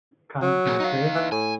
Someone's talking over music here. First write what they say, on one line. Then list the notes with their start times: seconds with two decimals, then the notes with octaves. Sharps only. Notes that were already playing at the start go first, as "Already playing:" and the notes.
Canti tre.
0.42 F#3
0.67 A#2 G#4
0.80 D#4 F5
1.14 E3
1.32 A2 G#5